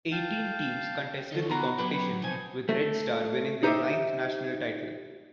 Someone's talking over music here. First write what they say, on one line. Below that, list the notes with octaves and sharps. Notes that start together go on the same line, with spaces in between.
Eighteen teams contested the competition, with Red Star winning their ninth national title.
F5 G5 A5
D3 D#4 C#5
B3 F#4 A#5 C6
F#3 G4 B4 B5
B1 C3 F3 D#4 G#5
A3
D#4 G4 C5 D#5 E5